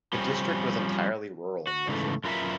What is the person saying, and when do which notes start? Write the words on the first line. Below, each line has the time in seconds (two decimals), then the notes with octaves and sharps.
The district was entirely rural and Muslim.
0.13 F3 G3 C4 C#4
1.67 F#4
1.87 G#2 C#3 E3 A3
2.24 F#2 F4 A#4 B4 E5